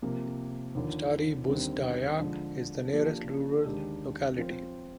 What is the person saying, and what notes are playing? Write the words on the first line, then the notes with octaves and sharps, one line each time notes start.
Stary Buzdyak is the nearest rural locality.
C3 F3 A#3
D#2 D3 F3
D#2 D3 G3 C4
D3 F3 G#3
F3 A#3 D4 G4 A#4
D#2 D3 G#3 D4 G4
F3 C4 F4 C5